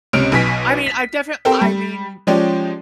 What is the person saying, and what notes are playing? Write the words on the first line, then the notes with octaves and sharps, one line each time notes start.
I mean, I def I mean,
C#2 C3 C#4 F6 D7
B1 B2 G#5 B6
B6
C4 G4 A4 A#4 C5 G5
G3
F3 G#3 C#4 G4 D5